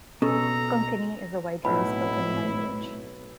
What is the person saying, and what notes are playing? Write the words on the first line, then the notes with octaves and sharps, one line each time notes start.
Konkani is a widely spoken language.
B2 C#4 A4 A#5
B1 A2 A3 C4 E4 B5